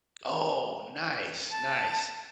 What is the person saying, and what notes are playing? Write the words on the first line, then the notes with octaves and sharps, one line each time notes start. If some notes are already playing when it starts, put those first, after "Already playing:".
Oh, nice, nice.
A5